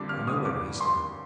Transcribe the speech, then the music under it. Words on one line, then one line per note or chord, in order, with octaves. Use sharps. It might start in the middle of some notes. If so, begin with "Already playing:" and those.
I know where he is now.
Already playing: F2 D3 G3 D6
F6
D#6
D6
C6